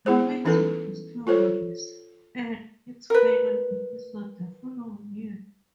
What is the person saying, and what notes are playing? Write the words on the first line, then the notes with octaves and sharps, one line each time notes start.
"Amazing Discoveries" aired its final episode the following year.
B3 E4 G#4 C5
E3 C#4 D#4 E4 A4 B4
F4 A4 C5 C#5
A#4 B4